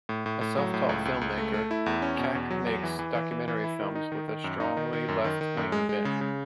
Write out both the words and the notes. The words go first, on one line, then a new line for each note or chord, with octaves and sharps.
A self-taught film-maker, Kak makes documentary films with a strongly left-wing bent.
A2
A2
A2
F#3
A2
C#2
C#2
C#2
A3
A3
E4
E2
C#4
B2
E2
F#3
E2
E3
E3
E3
E3
E3
E4
D#3
D#4
D#3
D#3
F#2
D#4
D#3
D#3
F#2
D#3
D#3
F#2
G#3
G#3
C#3
C#3